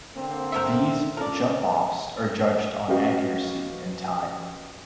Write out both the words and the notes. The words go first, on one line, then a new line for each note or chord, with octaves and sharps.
These "jump-offs" are judged on accuracy and time.
D3 A#3 C4
A#4 C5 E5
C#4 F4 A4 A#4 D5
C#4 F#4 G4 B4 D#5 F5